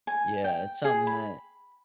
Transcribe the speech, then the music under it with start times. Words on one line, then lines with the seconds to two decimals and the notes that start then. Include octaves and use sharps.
Yeah. It's something that
0.07 G#5
0.44 G5
0.85 G#4
1.07 B5